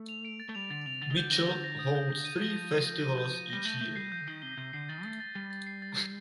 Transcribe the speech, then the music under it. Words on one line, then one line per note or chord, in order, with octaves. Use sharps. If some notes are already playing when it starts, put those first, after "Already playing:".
Mitchell holds three festivals each year.
Already playing: A3
F7
D7
A6
A3
G3 F7
D3 A6
C3 F7
D3 A6
D#3
D3 G6
A#6
G6
A#6
D#6
G6
A#6
D#7
F3 A#6
G6
D#7
G6
D#7
G6
D#7
G3 A#6
A3 G6
A3 G6
G3 C7
F3 G6
D3
D#3 C7
C3 G7
C3 G6
D3 C7
D#3 A6
A3 A6
A6
G3 A6
A6
C7
A6
C7